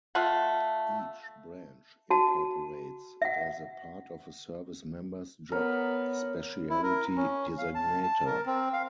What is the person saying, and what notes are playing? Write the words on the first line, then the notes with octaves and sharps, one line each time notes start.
Each branch incorporates it as part of a service member's job specialty designator.
A3 F4 F5 F#5
F#4 A5
E5 F#5
B3 A#4 C#5
E4
A#4
C#4
F5
A5
A5
A#4
C4
F5